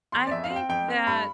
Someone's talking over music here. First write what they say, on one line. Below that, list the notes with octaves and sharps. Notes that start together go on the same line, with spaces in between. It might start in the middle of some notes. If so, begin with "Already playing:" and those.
I think that
E2 C6
D5
F2 E5
F5
C4
G5
F2 G5
C4
G2 B5